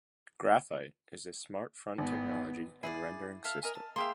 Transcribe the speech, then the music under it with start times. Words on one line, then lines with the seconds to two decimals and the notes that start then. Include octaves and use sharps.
Graphite is a smart-font technology and rendering system.
1.98 G#1 B3
2.83 E4 G#4 D5 F#5
3.44 A4 E5 F5
3.63 A#4 D#5 G#5
3.75 A5
3.96 A#3 G#4 E5 F5 G5 C6